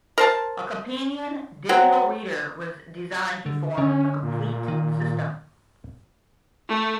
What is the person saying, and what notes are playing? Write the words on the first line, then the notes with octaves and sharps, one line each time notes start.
A companion digital reader was designed to form a complete system.
A#4 C5 A5
F#3 C4
D3
D3 C#4
A#2
D#3
A3